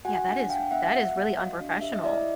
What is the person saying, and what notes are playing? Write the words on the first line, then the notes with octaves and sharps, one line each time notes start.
Yeah, that is that is really unprofessional.
F#4 F#5 G#5
D4 F#5 G#5
D4 F5 G5
B3 E5 F#5
F#4 E5 F#5
B3
F#4 D#5 F5
D4
G4 E5
D#5
E4 D5 E5